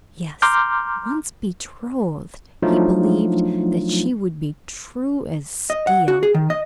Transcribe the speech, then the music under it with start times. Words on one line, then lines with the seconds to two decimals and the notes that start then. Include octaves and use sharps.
Yes, once betrothed, he believed that she would be true as steel.
0.42 A#5 C6 D6 F6 G6
2.62 F3 F#3 A3 D4 D#4 F4
5.70 D#5
5.87 F#5
6.08 F#4
6.23 G#4
6.34 D#3
6.50 D#5